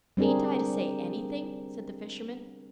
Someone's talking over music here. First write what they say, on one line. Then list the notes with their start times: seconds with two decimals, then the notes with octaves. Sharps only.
"Ain't I to say anything?" said the fisherman.
0.17 G3 C4 D4 G#4 A#4